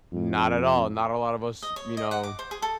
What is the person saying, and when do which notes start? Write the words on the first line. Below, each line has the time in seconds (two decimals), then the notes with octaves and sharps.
Not at all. Not a lot of us, you know,
0.12 F2
1.62 D#5
1.76 C#5
1.97 D#5
2.11 F#5
2.23 D6
2.39 C5
2.51 G#4
2.62 A4